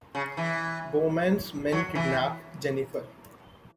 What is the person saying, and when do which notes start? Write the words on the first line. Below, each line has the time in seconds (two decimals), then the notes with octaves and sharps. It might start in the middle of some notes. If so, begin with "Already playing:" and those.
Bowman's men kidnap Jennifer.
0.15 C#3
0.37 E3
1.72 F#3
1.95 E3